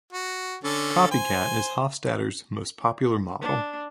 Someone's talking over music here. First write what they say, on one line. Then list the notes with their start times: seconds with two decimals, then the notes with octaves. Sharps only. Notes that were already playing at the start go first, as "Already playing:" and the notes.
Copycat is Hofstadter's most popular model.
0.13 F#4
0.64 D3 C#4 A4
1.11 C5 G#5
3.41 D4